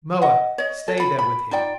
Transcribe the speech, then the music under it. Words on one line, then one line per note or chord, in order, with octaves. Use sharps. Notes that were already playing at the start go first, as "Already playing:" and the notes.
Moa, stay there with him.
D#5 F#5
C#5 D#5
A4
B5
B5
D#4 F4 D5 G5